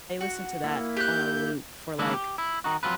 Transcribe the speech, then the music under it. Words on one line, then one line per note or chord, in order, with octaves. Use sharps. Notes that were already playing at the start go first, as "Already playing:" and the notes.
listened to that on a loop for like
F#4
A#3 E4
G4 F#6 G6
D#3 G#3 A#3 D4 E4 F#4
G4
E4
D#3 D#4 F#4
F3 F#3 C4 F4 B4